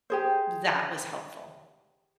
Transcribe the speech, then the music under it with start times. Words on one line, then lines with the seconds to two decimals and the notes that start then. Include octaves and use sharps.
that was helpful.
0.10 G4 G#4 C5